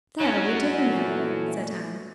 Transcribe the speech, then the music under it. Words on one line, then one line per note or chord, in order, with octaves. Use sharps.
"There we differ, Mary," said Anne.
F#3 C#4
A#2 E3 A3